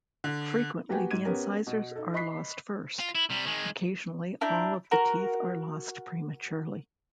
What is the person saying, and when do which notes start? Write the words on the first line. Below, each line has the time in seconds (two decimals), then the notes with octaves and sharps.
Frequently, the incisors are lost first; occasionally all of the teeth are lost prematurely.
0.24 D3
0.89 A#3 F#4 G4 B4 G5 G#5
1.11 G#2 G#6 D#7
1.25 B3 C#4 G4 A#4
1.67 B2
1.96 D#4 A4
2.14 D#5 B5 C#6 F#6 B6 C7
3.00 F4
3.15 E4
3.30 C3 G3
3.46 D#3 G#3
4.41 D4 E4 A#5 G6
4.91 F#4 A#4